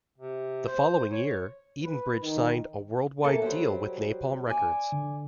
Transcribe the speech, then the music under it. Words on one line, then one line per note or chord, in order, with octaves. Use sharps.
The following year, Edenbridge signed a worldwide deal with Napalm Records.
C3
C5
C#5
B4
D#3
E3 A#3 A4
F#3 G3 C5
D5 G#5
D3